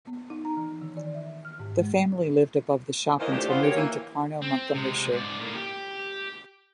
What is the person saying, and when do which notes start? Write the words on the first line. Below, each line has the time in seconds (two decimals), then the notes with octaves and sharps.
The family lived above the shop until moving to Carno, Montgomeryshire.
0.07 B3
0.30 D#4
0.45 A#5
0.57 E3
0.82 D#3
0.97 D5
1.15 E5
1.45 F6
1.60 G#2
1.79 G#3
3.19 D#3 E3 A#3 F4 C5 D#5
3.32 A2 A3 C4 D4 G4
3.49 E3 F3 B3 F4 B4 C5
3.63 F#3 G4 A#4 C#5
3.76 E3 A#3
4.42 C4
4.74 C3 G#3
5.12 G#2 D5
5.39 A2 A#3
5.54 G4